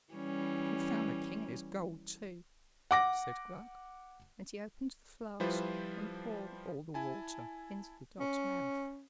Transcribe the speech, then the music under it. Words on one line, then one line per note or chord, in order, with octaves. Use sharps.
"Confound the king and his gold too," said Gluck, and he opened the flask and poured all the water into the dog's mouth.
E3 G3 C#4
F#5 D6 A#6
F3 G3 E4 F4 B4 C5
E4 G#5 A5
C#4